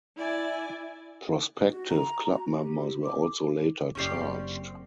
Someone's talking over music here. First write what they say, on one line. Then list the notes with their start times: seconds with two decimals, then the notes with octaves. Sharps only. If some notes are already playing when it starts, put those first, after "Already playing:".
Prospective club members were also later charged.
0.16 E4 D5 G#5
1.69 F#4
1.90 A#5
2.33 F#4
2.61 G4
3.05 D6
3.95 F#1 C4 C#4 G4 D5 C#6 C7